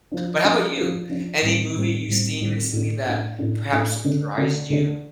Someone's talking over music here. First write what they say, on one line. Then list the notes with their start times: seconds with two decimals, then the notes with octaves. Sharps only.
But how 'bout you? Any movie you've seen recently that perhaps surprised you?
0.12 F3 D4
0.44 F3 D4
0.77 F3 D4
1.09 F3 D4
1.42 A2 G3 C4
1.76 A2 G3 C4
2.08 A2 G3 C4
2.41 A2 G3 C4
2.73 A2 A3 D4
3.06 A2 A3 D4
3.38 A2 A3 D4
3.72 A2 A3 D4
4.04 D3 A3 D4
4.37 D3 A3 D4
4.70 D3 A3 D4